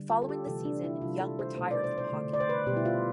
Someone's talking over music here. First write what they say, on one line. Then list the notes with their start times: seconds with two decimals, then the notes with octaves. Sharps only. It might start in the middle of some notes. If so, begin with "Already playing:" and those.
Following the season, Young retired from hockey.
Already playing: D3 G3
0.10 F4
0.22 A4
0.29 G4
0.47 C3 E3 A3 A4
0.65 D4
0.84 E4
1.01 C3 G3 F4
1.21 A4
1.39 C5
1.56 B2 A3 C5
1.71 D5
1.84 C5
1.98 C5
2.13 D3 A3
2.33 D5
2.40 C5
2.49 B4
2.67 B2 G3 G4
2.76 E4
2.85 F4